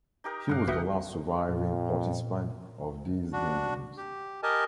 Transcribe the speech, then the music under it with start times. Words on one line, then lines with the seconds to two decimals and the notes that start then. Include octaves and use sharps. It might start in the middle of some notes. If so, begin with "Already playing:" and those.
He was the last surviving participant of these Games.
0.24 D#4 G4 A#4
0.49 G2 C#3 F5 F#5
0.68 B1 F#4 G4 B4 D#5 E5 F#5
1.49 F2 A#2
3.33 D4 F#4
3.97 G4
4.43 G4 A#4 D#5 G#5 A5